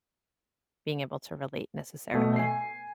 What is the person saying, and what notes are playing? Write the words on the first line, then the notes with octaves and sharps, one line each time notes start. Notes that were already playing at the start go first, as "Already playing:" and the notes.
being able to relate necessarily.
B2 A3
G#5 C7